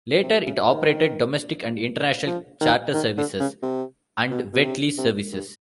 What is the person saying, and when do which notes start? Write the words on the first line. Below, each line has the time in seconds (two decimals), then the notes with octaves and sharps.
Later it operated domestic and international charter services and wet lease services.
0.23 C3
0.46 C#3
0.69 D#3
2.27 F3
2.61 D#3
2.94 D#3
3.18 D3
3.40 C#3
3.63 C3
4.31 B2
4.53 B2
4.64 C3
4.98 C3
5.32 G2